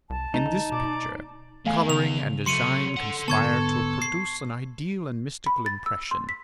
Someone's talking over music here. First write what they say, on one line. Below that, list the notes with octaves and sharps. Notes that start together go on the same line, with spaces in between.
In this picture, colouring and design conspire to produce an ideal and mystical impression.
C2 A5
A3 D#4
D3
B2 D5
E2 A3 F5 G#5
C#3 F7
F#3 A3 C6 C#7 D#7
A4 F#5
G#2 D3 B3 A4 A5 C#6 G#6
C7
B5
A6
E6
C6
B6